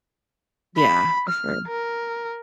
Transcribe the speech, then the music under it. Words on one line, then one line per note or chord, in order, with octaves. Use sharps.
Yeah. For sure.
B5
F6
A#4